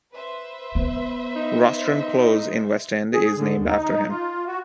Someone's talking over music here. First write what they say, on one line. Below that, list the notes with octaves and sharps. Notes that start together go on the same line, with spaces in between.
Rostron Close in West End is named after him.
B4 C5 E5
B3
D#4
G#4
D3
D#2
D#4
F4
F#4